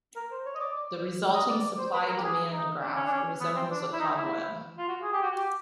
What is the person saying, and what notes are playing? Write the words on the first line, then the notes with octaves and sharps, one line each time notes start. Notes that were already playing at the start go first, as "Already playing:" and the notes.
The resulting supply-demand graph resembles a cobweb.
A#4
C5
C#5
D#5
D5
D5
D#5
D5
D5
C5
B4
A#4
G4
G#4
D#4
D4
C#4
D4
C#4
B3
C4
D4
E4
D#4
E4
F4
F#4
G#4
G4
F#4
G4